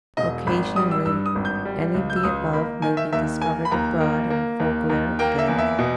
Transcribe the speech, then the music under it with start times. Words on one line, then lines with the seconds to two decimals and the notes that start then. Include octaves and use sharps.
Occasionally any of the above may be discovered abroad in the full glare of day.
0.17 E1 D#5
0.47 G#1 B5
0.76 G3 D#6
0.91 E6
1.06 G2 E6
1.26 D#6
1.35 G#1
1.45 G6
1.65 G3
1.94 C#2
2.10 G6
2.16 E6
2.24 C#2 D#6
2.53 A#3 B5
2.82 D#3 G#5
2.97 E5
3.13 D#2 E5
3.42 A#3 G#5
3.65 B5
3.72 D#2 A#5
4.00 A#3
4.30 A#3
4.60 D#2
4.90 D#2
5.19 A#3 G5
5.39 E5
5.48 E2
5.59 E5
5.79 B2